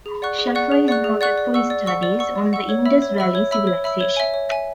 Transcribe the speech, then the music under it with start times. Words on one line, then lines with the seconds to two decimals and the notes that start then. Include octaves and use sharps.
Shaffer is noted for his studies on the Indus Valley Civilization.
0.06 G#4
0.22 D5 F#5 C#6 F#6
0.38 G#4
0.55 D5 F#5 C#6 F#6
0.71 G#4
0.88 D5 F#5 C#6 F#6
1.04 G#4
1.21 D5 F#5 C#6 F#6
1.38 D5
1.54 F#5 C#6 E6
1.70 D5
1.86 F#5 C#6 E6
2.03 D5
2.19 F#5 C#6 E6
2.35 D5
2.53 F#5 C#6 E6
2.69 C#5
2.86 E5 B5 E6
3.02 C#5
3.18 E5 B5 E6
3.35 C#5
3.51 E5 B5 E6
3.67 C#5
3.84 E5 B5 E6
4.01 C#5
4.17 E5 G#5
4.34 C#5
4.49 E5 G#5